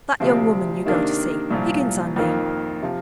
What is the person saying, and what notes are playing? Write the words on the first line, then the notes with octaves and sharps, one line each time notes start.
'That young woman you go to see--Higgins, I mean.'
D2 C3 F3 C4
C3 D#3 A#3 D4
C2 A#2 F3
F2 D#3 A#3
C3 F3